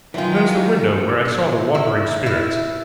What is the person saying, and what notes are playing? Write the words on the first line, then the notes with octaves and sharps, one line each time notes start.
There's the window where I saw the wandering Spirits!
D#3 E3 F#3 G#3 F4 G5
E4
D#2
E4